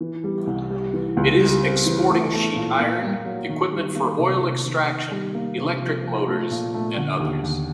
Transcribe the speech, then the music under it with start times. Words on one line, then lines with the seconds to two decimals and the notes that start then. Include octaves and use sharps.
It is exporting sheet iron, equipment for oil extraction, electric motors and others.
0.01 E3
0.24 G3
0.47 C2
0.70 G3
0.93 E3
1.17 C#2
1.40 G3
1.63 C4
1.86 E3
2.10 A3
2.33 A3
2.56 A#2
2.80 A#3
3.02 A#3
3.26 F#3
3.49 D#3
3.72 G3
3.95 A#3
4.19 C3
4.42 C3
4.65 D#3
4.88 D#4
5.11 G3
5.35 A#3
5.58 C3
5.81 F3
6.05 F3
6.27 A3
6.51 A#2
6.74 A3
6.97 D3
7.20 D#2
7.43 D#2